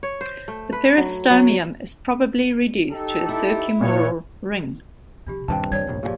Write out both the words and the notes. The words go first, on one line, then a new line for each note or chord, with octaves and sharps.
The peristomium is probably reduced to a circumoral ring.
C#5
C5
A3
B4
F#3
F#3
D#4 G4 A4
E4
A#2 B4 C#5
C3 F3 D4 F4 G4
D#1 G2 C3 D#3 G5 A5
D#3 G3 C#5 D5 G#6
F1 A#1 G2
A#2 C#3 F3 G4 G#4 D5